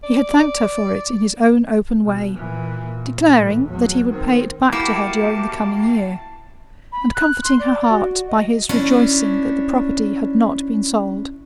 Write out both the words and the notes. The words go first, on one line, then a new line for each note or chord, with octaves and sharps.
He had thanked her for it in his own open way, declaring that he would pay it back to her during the coming year, and comforting her heart by his rejoicing that the property had not been sold.
D5
B2
A#2 E3
A#2
A2 E3
E2 F#3
D#3 C4
A#3 E4 F#4 G4 A5
B5
F#6
C6
D5
F#4
D#5
C#4 D4 E4